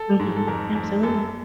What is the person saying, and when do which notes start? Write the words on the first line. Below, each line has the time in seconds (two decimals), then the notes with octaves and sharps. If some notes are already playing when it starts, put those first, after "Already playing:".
Mhm, absolutely.
Already playing: A4
0.19 G#2
0.36 A4
0.47 F2 A#4
0.75 F2
1.03 F#2 A4